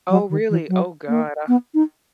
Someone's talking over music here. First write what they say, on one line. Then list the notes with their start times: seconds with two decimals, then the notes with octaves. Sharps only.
Oh, really? Oh, god. Uh,
0.10 F#3
0.30 D#3
0.50 E3
0.69 F#3
1.08 A#3
1.48 B3
1.74 D#4